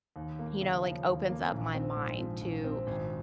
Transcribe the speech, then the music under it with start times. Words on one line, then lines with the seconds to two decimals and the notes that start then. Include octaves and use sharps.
you know, like, opens up my mind to
0.16 D#2
0.39 A#3
0.61 C#3
0.83 F3
1.06 D#2
1.29 A#3
1.52 A#1
1.75 C4
1.97 G#2
2.19 F3
2.41 A#1
2.64 C4
2.87 G#1